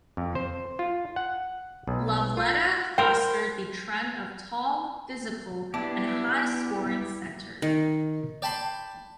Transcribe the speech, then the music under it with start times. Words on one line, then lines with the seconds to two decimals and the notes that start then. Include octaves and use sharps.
Lovellette fostered the trend of tall, physical and high-scoring centers.
0.17 F2
0.35 C5
0.79 F4
1.16 F#5
1.87 B1
2.37 F4
2.98 A#4 C5 G5
5.74 B3 D4 E4 G4
7.62 D#3
8.42 D5 G5 A5 B5 C6